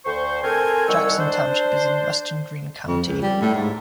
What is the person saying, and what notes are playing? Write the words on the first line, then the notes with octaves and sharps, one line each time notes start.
Jackson Township is in western Greene County.
D2 C5 C#6
C4 A4 A#4 C5 G#5
C2 D#3 G3 C#5 F#5 E6
D4 C5
F2
C#2
G3
A2
G#2